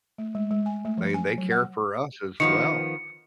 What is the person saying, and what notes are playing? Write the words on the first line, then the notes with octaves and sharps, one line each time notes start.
They they care for us as well.
A3
G#3
G#3
G#5
A3
F3
G#5
F#3
F#5
D#3 F3 B3 C#7